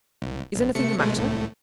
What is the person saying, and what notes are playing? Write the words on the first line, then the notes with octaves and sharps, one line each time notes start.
Is anything the matter?
C2
A#1
C3 A3 C#7
B2 G#3 A3
C2 A2 A3